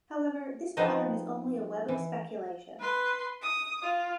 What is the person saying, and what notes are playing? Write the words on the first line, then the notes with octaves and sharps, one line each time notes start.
However, this pattern is only a web of speculation.
F3 B3 C4 D#4 D#5
E3
B4 C6
D#6
F4